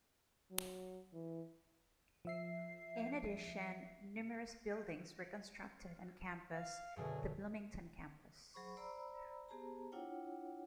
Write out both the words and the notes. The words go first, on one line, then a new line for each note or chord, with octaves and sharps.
In addition, numerous buildings were constructed on campus the Bloomington campus.
F#3
E3
F3 E5 C7
F5
F#2 B2 D3 G#4
F#3 G#4 C5 B5 C#6
C5 D5 A#5 B5 E6
B3 G4 G#4 C5 A5 A#5
D4 E4 F4 C#5 F#5 G5